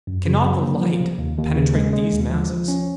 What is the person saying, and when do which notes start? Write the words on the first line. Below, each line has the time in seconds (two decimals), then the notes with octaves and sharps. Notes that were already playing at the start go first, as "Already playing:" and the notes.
Cannot the light penetrate these masses?
0.07 F#2
0.26 C#3
0.45 F#3
0.63 A#3
0.81 F3
1.00 C3
1.18 D#2
1.37 D#2
1.56 C#3
1.75 G#3
1.93 G#3
2.12 D#2
2.30 F3
2.50 F3
2.68 C#4